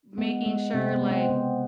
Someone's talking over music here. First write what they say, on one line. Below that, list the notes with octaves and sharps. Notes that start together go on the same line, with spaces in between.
making sure, like,
G#3 B3
G#3
C3 C4
B3
G#3
C4
C#3 B3